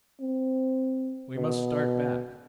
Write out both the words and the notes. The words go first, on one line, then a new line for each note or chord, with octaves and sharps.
We must start back.
C4
B2